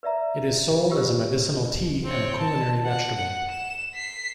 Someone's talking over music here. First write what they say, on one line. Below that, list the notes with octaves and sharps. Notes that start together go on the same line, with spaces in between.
It is sold as a medicinal tea, and a culinary vegetable.
B4 D5 E5 A#5
F4 G4 E6
C4 C#5
A5
F#5
F#5
E7
B6 C7